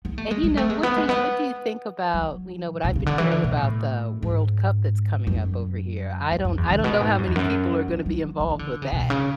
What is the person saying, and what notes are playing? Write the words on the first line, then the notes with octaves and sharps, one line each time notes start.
And you know, what do what do you think about, you know, what I've been hearing about the World Cup that's coming up over here, I don't I don't know how many people are gonna be involved with that
B3
A3
G#3
G#3
A3
G#3
B3
G#3
B3
F#3
A2
B2
C#3
D3
E3
D3
B2
A2
G#2
F#2
F#2
F#2
E2
D3
A2
B2
G#2
F#2
E2
F#2
E3
F#3
D3
E3
D3
C#3
B2
C#3